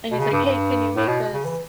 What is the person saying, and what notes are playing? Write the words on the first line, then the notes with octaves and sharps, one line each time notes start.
and he's like, "Hey, can you make this,"
B2
C#3
G2
G2
A2
B2
C#3
E3